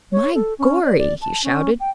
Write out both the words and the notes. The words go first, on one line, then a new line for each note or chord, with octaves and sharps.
"My gorry!" he shouted.
C#5
A4
C#4
D5
D5
A5
C#4
G5